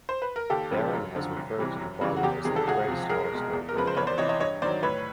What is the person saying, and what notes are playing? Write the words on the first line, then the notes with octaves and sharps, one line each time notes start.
Barron has referred to the Bible as the greatest horror story ever told.
C5
B4
A#4
D#2 G4 A4
C#3 F3 G#3
F#2
D3 F3
C2
C3 E3 G3
F#2
C#3 E3 G3
F#4
E2 G4
C3 D#3 G3 G#4
A4
C#2 F#4 G#4
C3 F3
C2 G#4 A#4
B2 G#3
E2
A#4
C#3 F3 G#3 B4
C5
E2 B4 C#5
C5 D5
C3 E3 C#5 D#5
C#5 D#5
G2 C#5 D#5
D#3 F#3 C5 D5
A2 B4 C#5